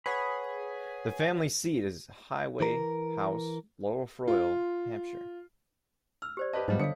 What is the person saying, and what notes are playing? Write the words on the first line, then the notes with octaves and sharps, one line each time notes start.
The family seat is Highway House, Lower Froyle, Hampshire.
G#4 B4 C#5 F#5 B5
E3 A#4
F4
E6 F6
G4 C5 D5
G4 B4 D#5 A5
G#2 F3 G3 B3 C5 D#5 F5
D3 A4 C#5 F5 C#7